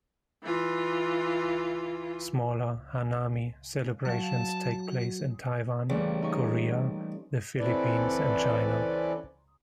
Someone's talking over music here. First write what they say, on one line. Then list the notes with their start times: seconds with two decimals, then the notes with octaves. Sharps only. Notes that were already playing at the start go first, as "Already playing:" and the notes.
Smaller "hanami" celebrations take place in Taiwan, Korea, the Philippines, and China.
0.44 E3 F4
4.05 F#3 F#4 F5 A5
5.90 A1 C#3 G3 A#3
6.22 D#4 G4 C#6
7.58 E3 C4 C#4 A4 B4 D5